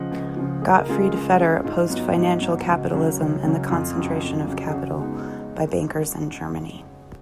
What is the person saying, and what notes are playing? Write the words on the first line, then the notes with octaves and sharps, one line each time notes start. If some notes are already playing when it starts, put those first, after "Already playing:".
Gottfried Feder opposed financial capitalism and the concentration of capital by bankers in Germany.
Already playing: C#3 F3 D#5 F#5
C#2
C#3 F3
C#2 G#4
A#4
C#3 G#3 F4 G#4
C#2
C#3 G#3
G#2 F4
F#3 B3 D#4
G#2
F#3 B3 D#4
C#2 F#4
C#3 F#3 C#4
C#2
C#3 F#3 C#4
F2 F4
C#3 F#3
F2
C#3 F#3
G#4
C#3 F#4
G#3 B3 D#4